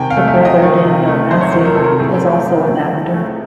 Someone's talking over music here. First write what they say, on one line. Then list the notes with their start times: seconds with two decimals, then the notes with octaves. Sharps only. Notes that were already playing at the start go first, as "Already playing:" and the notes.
Her brother Daniel Massey was also an actor.
Already playing: C3 D#3 G5 G#5
0.10 F5
0.17 A3
0.28 E5
0.39 F#3
0.45 D#5
0.62 D#3
0.85 C3
1.08 A3
1.31 F#3 C5
1.41 C#5
1.52 D#3 C5
1.65 A#4
1.75 C3 A4
1.84 A#4
2.00 A2 G#4
2.22 A3
2.45 F#3
2.68 A2
2.91 A2
3.14 A3